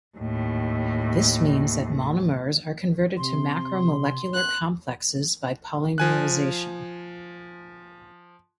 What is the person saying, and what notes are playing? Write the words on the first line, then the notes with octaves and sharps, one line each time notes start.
This means that monomers are converted to macromolecular complexes by polymerization.
D#2 A2
C3 C6
F#6
F3 G#5 F#6